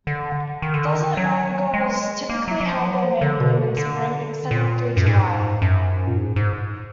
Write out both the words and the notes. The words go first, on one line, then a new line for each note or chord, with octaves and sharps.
Desert marigolds typically have their main bloom in the spring, extending through July.
D3
D#3
D3
D#3
F#3
G#3
A#3
F#3
F#3
F3
F#3
F3
D3
B2
D3
D3
A#2
F#2
G#2
F#2
A#2
G#2
G#2